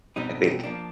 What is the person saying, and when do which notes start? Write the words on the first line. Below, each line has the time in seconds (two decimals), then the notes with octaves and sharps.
I think,
0.16 B2 G3 C4 D#4
0.64 F3 A#3 D4